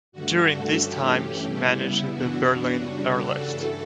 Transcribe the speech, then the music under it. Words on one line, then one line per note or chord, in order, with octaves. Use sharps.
During this time he managed the Berlin Airlift.
G2 D3 A3 F#4
A4
G2 E3 A3 C#4 G4
G4
C#3 G3 B3 E4
F#2 E3 B3 D4 F#4
C#3 G3 D4
A4
G2 E3 A3 A4